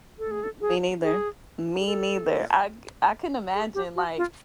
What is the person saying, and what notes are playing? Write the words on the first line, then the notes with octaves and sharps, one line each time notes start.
M me neither. Me neither, I I couldn't imagine, like,
A4
G#4
A4
G#4
G#4
G#4
A4
G#4
G4
F#4
F4